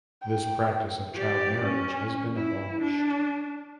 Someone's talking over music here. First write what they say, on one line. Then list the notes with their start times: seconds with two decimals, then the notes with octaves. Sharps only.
This practice of child marriage has been abolished.
0.22 G5
1.14 G4 D5
1.63 C#4
2.35 E4
2.82 D4